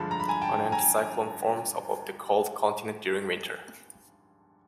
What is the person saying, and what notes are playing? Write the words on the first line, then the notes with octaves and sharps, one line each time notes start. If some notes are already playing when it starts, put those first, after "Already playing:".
An anticyclone forms above the cold continent during winter.
Already playing: G2 D3 F3 G#3 A5 B5
A#5
B5
G#5 A#5
G5 A5
G#5 A#5